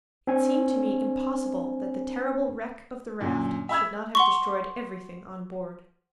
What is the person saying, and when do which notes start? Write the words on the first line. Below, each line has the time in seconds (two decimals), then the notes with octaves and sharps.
It seemed to me impossible that the terrible wreck of the raft should not have destroyed everything on board.
0.27 C4 D4 G#5
3.20 F#2 A#2 D3
3.69 E5 B5 E6 G#6
4.15 F#5 C6 C#6